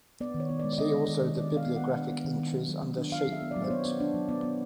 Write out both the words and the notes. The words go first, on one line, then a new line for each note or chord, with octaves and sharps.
See also the bibliographic entries under Shape note.
B3 D5
D#3
C#5
B3
G#3 D5
D5
D4 D#5
G#3
D#3
D#3
D#3 D5
B3
F5
B3
B3 F#5
D4
B3
D#3
B3
F#3
F#3
F#3
D4
F#3 F5
F#3 E5
B3
D5
F#3
C5
B3 C#5
B3
D4
F#3
B3 D5
B3